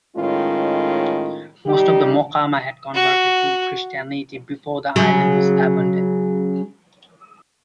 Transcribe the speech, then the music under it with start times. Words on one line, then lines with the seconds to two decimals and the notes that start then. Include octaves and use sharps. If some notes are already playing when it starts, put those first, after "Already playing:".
Most of the Mocama had converted to Christianity before the island was abandoned.
0.16 A2 D#3 G#3 C#4 F4
1.66 G3 D#4 G4
2.94 F#4
4.96 C#3 F#3